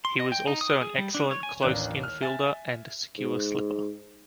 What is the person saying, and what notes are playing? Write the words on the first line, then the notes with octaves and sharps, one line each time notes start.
He was also an excellent close-in fielder and secure slipper.
C6
D#5
G5
D#4
D#6
G#4
G3
D4
C#5
G#5
A1 D#2 D4 F#6
F6
E5 G#5 A6
G#2